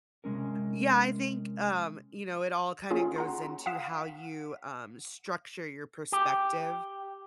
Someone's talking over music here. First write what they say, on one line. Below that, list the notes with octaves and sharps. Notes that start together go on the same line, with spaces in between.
Yeah, I think, um, you know it all kinda goes into how you, um, structure your perspective
C3 G#3 C#4 A#4
A#3 C#4 F4 G#4
F#5 A#5 C6
F5 F#5 D#6 B6 E7
G4